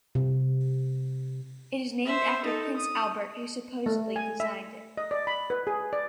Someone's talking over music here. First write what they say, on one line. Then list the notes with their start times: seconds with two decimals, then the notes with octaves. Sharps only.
It is named after Prince Albert who supposedly designed it.
0.15 C3
2.06 C5 E5
2.45 D#4 A4
2.76 D#6
3.86 A3
4.16 G#5
4.40 E5
4.97 D#5
5.11 D5
5.27 B5
5.50 B4
5.67 G#4
5.93 D5